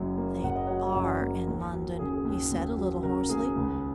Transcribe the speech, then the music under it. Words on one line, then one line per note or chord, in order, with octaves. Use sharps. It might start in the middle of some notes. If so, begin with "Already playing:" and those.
"They are in London," he said a little hoarsely.
Already playing: F#1 F#2 F#3 C#5
A#3
F#1 F#5
D#5
F#3 C#5 F#5
F#2
A#3
D#2
F#3
C#3 G#4
G#4
D#2
D#2
F#3
C#3 A#4
D#2 G#4
C#2